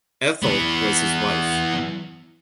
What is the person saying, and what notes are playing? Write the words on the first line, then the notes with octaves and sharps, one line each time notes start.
Ethel was his wife.
E3 B3